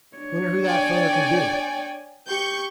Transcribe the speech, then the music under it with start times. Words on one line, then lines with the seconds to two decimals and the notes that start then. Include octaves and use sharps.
Wonder who that feller can be.
0.17 D4 C#5
0.66 D5 G5 G#5
2.28 G4 C#6 G6